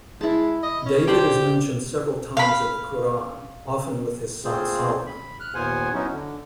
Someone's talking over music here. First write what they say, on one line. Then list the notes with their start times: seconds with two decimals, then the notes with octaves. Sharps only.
David is mentioned several times in the Quran, often with his son Solomon.
0.21 G#3 E4 A5
0.63 D#5
0.86 C#4
1.07 G4 C5 D5 A5
2.37 F5 B5
4.45 A3 A#3 C4 F4 G#4 C5
5.06 B5
5.40 F6 F#6
5.54 D#2 A#2 B3 C5 F#5 G#5
5.94 F#3 B3 C#4 D#4 E4 F#4
6.13 D3